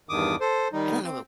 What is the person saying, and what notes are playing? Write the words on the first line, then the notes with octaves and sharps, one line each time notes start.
I don't know,
E2 G2 D#3 D6 D#6
A4 C5
D#3 G3 D#4
C4